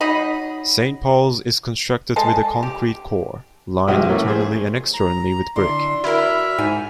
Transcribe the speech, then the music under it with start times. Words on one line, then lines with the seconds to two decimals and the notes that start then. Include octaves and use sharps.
Saint Paul's is constructed with a concrete core, lined internally and externally with brick.
0.01 F#3 D#4 D#5 B5
2.16 G#3 A4 A5
2.63 G4
3.88 B1 F3 G#3 F#4 G4 D#5
4.09 E3 A3 A#3 C#4
4.28 G#4 C5
4.94 A#5
5.56 D3 D4 E4 C6
6.04 E4 F#4 A#4 E5 B5 F6
6.59 G#2 G#5